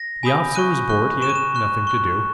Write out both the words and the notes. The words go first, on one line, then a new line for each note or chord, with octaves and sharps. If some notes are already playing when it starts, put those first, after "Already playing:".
The officer was bored, he had nothing to do.
Already playing: A#6
G#5 B5 D#6 G6
C#6 F#6 D#7
C#6 F#6
C#6 F#6 E7
D#7
E7
C#6 F#6
C#6 F#6